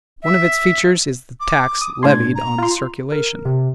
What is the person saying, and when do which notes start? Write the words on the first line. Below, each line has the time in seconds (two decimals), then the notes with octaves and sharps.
One of its features is the tax levied on the circulation.
0.22 E5
1.40 D6
1.81 D#6
2.03 A2 D4 C6 G#6
2.35 A#5
2.58 F4 C6
3.12 A#4
3.45 C3